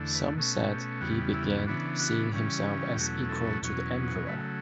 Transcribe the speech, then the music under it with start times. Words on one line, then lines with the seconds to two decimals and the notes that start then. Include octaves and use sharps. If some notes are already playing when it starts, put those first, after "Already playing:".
Some said he began seeing himself as equal to the emperor.
Already playing: E2 D3 A3
0.15 B4
0.36 B2 A3 C#4
0.69 G4
1.01 E2 C#3 G3 B3 F#4
1.34 E4
1.67 C#3 E3 B3 D4 F#4
2.00 F#4
2.31 C#3 E3 G3 C#4
2.97 E2 B2 F#3 A3 C#4 G4
3.29 A4
3.62 E2 B2 F#3 C#4
4.27 C#3 F#3 A3 B4